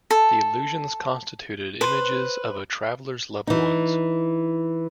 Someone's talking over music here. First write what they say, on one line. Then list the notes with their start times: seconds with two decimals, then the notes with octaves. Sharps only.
The illusions constituted images of a traveler's loved ones.
0.11 A4
1.81 B4 C5
3.47 E3 D#4